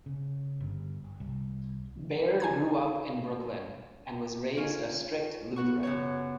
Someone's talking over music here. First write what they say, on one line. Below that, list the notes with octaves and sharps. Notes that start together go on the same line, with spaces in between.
Baird grew up in Brooklyn, and was raised a strict Lutheran.
C#3
G1
C2
G#5 A#5 G#6
C#4 F4 G#5
B3 F#4 C#6
F#2 C#3 C#5